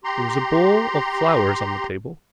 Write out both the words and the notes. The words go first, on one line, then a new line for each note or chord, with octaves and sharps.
There was a bowl of flowers on the table.
G4 A#5 C6